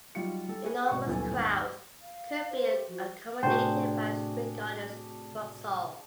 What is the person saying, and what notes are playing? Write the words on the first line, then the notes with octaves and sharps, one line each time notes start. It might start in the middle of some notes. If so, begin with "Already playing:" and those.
Enormous crowds could be accommodated at Spring Gardens, Vauxhall.
F#3 G3 D#4 F4 C#7
G3 A4
G#4 B4
G#1 B2 F#5 C#6
D#1 B1 B3 A4 G#5
G#1 D#2
F5
C5
G4
F3 F#4
A2 C3 A3 D4 F#4 G#4 C5 G5